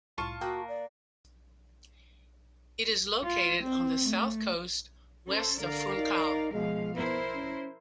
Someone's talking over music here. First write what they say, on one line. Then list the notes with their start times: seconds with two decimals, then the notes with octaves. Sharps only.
It is located on the south coast, west of Funchal.
0.18 C2 A2 F4 A5 C#6
0.41 A#3 F#4 G5 D#6 F#6
0.68 D5
3.24 F4
3.62 C4
4.04 A3
5.28 C#4 A4 C5
5.60 D3 A#4 D5 F5
5.97 D#4
6.53 B2 F3 G#3 F5
6.94 B3 E4 A#4 C5
7.35 C#4